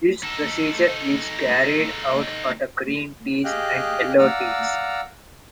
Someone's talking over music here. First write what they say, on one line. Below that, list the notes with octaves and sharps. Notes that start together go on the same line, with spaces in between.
This procedure is carried out for green teas and yellow teas.
D#4 A4
G4 G#4 D#5 F5 G5 F#6
D5 F5 F#5 A#5 E6